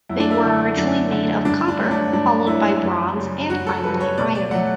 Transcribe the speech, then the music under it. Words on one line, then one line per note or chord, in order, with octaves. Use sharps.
They were originally made of copper, followed by bronze and finally iron.
F#2 E4
D4
E4
D3 A3
F#2 D4
D3 A3
G2 D4
D4
F#3 A3
D4
G2 D4
F#3 A3 E4
F#2
C#3 G3
F#2 F#4
A4
C#3 G3 B4
C#5
B2 D5
D5
F#3 A3 F#5